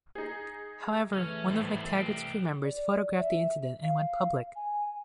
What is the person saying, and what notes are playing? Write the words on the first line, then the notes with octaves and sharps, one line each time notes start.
However, one of McTaggart's crew members photographed the incident and went public.
D#4 G#4
E3 A3 C#4
G#1 A2 G3 B3
C2 G4 D#5
D5
E5
F5
G#5